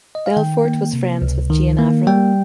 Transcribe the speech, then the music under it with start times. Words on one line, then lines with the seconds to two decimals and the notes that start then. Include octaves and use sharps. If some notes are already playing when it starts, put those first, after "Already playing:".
Belfort was friends with Jane Avril.
0.15 D#5
0.26 F5
0.37 D#3 G5
0.65 A#3
0.93 C3
1.22 C#2
1.50 D#3
1.79 A#3
2.07 G3 G5